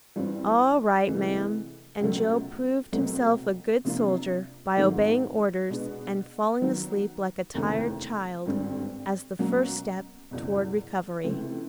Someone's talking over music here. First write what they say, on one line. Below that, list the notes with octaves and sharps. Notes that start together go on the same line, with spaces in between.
"All right, ma'am;" and Joe proved himself a good soldier by obeying orders, and falling asleep like a tired child, as the first step toward recovery.
G2 E3 G3 C4 F4
D2 C3 E3 G#3
C#2 B2 F#3 A3
C2 B2 F#3 A3 C4
C3 F3 A#3 D4 F4
G#2 D#3 F#3 A3 C4
B2 G#3 B3 D4
D#3 F#3 B3
F1 D#2 C#3 E3 A3
G#1 G2 D3 G3 C4
B2 F#3 A#3 C#4
F#1 E2 B2
C#2 C3 E3 A3